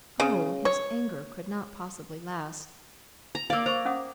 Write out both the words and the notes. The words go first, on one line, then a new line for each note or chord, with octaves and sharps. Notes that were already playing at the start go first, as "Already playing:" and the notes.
Oh! his anger could not possibly last.
C#3
C#5
A#5
A#3 D5 F5 E6
C5 A#5 C#6
C#4 F#5 D#6